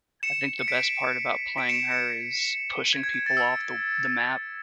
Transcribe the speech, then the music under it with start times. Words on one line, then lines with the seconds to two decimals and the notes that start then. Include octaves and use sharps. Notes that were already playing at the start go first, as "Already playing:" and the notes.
I think the best part about playing her is pushing people off the w the map.
0.23 C#7 E7
0.59 C#7
0.68 B6 D7
1.57 B6 D7
1.69 C#7 E7
1.91 C#7 E7
2.93 G#6
3.03 G#6
3.14 G#6
3.26 A6
3.37 E6